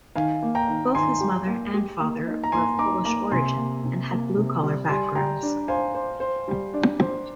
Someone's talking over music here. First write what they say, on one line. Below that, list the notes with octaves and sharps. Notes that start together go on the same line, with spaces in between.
Both his mother and father were of Polish origin and had blue-collar backgrounds.
D#3 F5 G#5
A#3
G5 A#5
D#3
D#3 G#5 C6
G4
A#3
G4
A#3
D#4
A#5
A#3 G#5 C6
D#4 A#5 D6
A#3 A#5 D6
C3 G#5 C6
A#3
C3
A#3
C3
G3
G3 G#5 C6
G3 G5 A#5
D4
C5 F5 G#5
C5
C5
G3
D4
C5